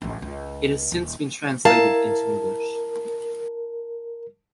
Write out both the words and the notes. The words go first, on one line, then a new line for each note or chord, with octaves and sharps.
It has since been translated into English.
A1 D2
C#2
D#1
E4 A#4 F5 A5 A#5